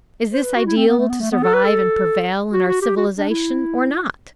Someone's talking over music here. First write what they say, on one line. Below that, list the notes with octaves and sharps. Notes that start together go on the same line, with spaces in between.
Is this ideal to survive and prevail in our civilization or not?
C5
B4
F#4
E4
C4
B3
A3
B3
A3
B3
A4
B4
A4
F#4
F#4
G4
F#4
D4
E4